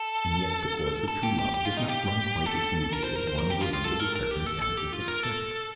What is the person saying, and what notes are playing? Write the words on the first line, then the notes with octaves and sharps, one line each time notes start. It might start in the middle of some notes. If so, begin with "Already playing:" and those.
And yet the course of true love does not run quite as smoothly as one would under the circumstances expect.
Already playing: A4
A4
G4
G4
G4
F4
D#4
G4
A4
A#4
C5
A#4
C5
A#4
G4
F4
F4
A4
A#4
A#4
G4
A4
A4
G4
F4
A#4
A4